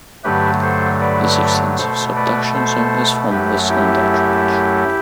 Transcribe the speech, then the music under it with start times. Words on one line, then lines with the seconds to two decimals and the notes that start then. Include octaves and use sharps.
This extensive subduction zone has formed the Sunda Trench.
0.24 G2 D3 F#3 A3 G4 B4
0.62 A4 C5
1.00 B4 D5
1.77 B2 A3 A4 C5
2.16 B4 D5
2.54 A4 C5
3.31 F#2 F#3 A3 G4 B4
3.69 E4 G4